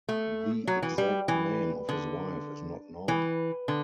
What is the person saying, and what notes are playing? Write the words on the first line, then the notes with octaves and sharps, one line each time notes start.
The exact name of his wife is not known.
A3
F#3
E3
G3
E3
D3
E3
D3